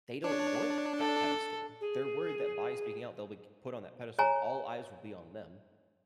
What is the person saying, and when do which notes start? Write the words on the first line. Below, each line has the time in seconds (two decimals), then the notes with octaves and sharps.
they don't want that pedestal, they're worried that by speaking out, they'll, like put on that pedestal all eyes will be on them,
0.24 D4 C#5
0.99 A4
1.80 G#4
4.19 C#5 G#5 A#5